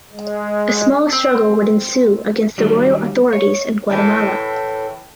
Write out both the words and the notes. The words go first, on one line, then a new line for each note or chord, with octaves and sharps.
A small struggle would ensue against the royal authorities in Guatemala.
G#3
C4
D#3 F#3 G3
C#5
A2 E3